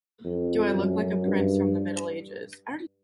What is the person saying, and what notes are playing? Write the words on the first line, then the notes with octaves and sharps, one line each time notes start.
Do I look like a prince from the Middle-Ages?
F2
F#2
G2